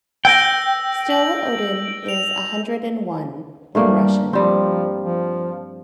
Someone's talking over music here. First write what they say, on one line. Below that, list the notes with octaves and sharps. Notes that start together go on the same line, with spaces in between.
"Sto Odin" is "a hundred and one" in Russian.
G5 E6 G6 A#6
F#7
F7
G2 G3 A3 A#3
F3 G3 C4
F3